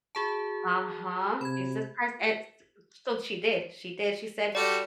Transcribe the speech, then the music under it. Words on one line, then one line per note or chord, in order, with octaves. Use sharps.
Uh-huh. Jesus Christ, a s uh, so she did, she did, she said
F#4 G#4 A5
C3 B5 G#6
G3 F#4 A4 D5